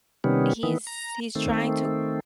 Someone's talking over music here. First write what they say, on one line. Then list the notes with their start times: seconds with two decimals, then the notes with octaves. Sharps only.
he's he's trying to
0.24 C3 D#3 G3 B3 C#4
0.63 D#3 E3 B3
0.87 A#5
1.35 D#3 A3 C4